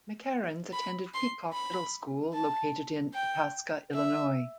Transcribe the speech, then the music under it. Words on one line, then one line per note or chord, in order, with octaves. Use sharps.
McCareins attended Peacock Middle School located in Itasca, Illinois.
B5
C6
B5
A5
G5
E5